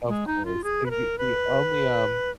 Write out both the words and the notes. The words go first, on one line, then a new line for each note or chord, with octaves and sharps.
Of course, and you the only, um,
G#3
D#4
F4
G#4
B4
A#4
B4